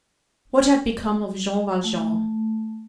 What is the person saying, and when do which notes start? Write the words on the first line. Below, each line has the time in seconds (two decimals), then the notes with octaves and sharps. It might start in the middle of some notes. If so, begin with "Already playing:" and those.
What had become of Jean Valjean?
1.84 A3